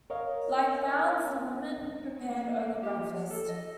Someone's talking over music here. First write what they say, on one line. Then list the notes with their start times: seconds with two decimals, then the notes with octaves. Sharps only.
Like Bounds, the woman prepared only breakfast.
0.10 A#4 C#5 D#5 F5
2.30 A#3
2.58 A#3
2.83 G4
2.97 F3
3.31 A4
3.49 D#5